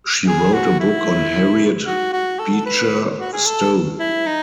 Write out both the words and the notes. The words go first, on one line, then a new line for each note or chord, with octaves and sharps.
She wrote a book on Harriet Beecher Stowe.
G#4
F#4
E4
F#4
F#4
A4
B4
F#4
G#4
A4
E4
D#4